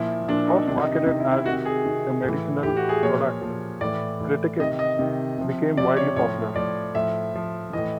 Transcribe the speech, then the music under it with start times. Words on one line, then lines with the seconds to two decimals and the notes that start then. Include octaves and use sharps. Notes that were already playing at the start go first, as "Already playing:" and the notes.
First marketed as a medicinal product, kreteks became widely popular.
Already playing: A#2 F3 E4
0.28 A#2 F3 D4
0.47 D#4
0.67 C3 D4
0.71 D#3
0.80 D#4
0.93 D#4
1.06 C3 D#3 D#4
1.20 E4
1.33 E4
1.46 C3 D#3 F#4
1.65 G#4
1.85 C3 D#3
2.24 A2 E3
2.63 A2 E3 G4
2.77 F#4
2.89 G#4
3.02 A#2 F3 C#5
3.42 A#2 F3
3.81 A2 E3 D5
4.20 A2 E3
4.59 C3 D#3 D#5
4.79 D#5
4.99 C3 D#3
5.38 C3 F3
5.77 C3 F3 D5
5.97 C#5
6.16 A2 F3 C#5
6.56 A2 F3 D5
6.95 A2 F3 E5
7.34 A2 F3
7.73 A2 E3 D#5